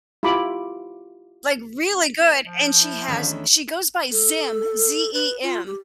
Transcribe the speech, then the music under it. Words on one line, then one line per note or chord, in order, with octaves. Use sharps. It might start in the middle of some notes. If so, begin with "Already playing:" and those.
like, really good, and she has she goes by Zem, Z-E-M,
E4 F4 G4 B5 D6
F3
E4
E2 D3 D#3 C#4 D4 E5 F5
A3
A4
B4
F4
G4